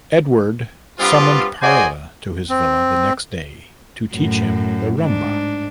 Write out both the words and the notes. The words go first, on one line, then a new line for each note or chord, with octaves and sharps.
Edward summoned Parla to his villa the next day to teach him the rhumba.
G2 G3 B3 C4 F4
F#4 G#4 C5 D5 D#5 G#5
C4
F#2 A2
G#2 D4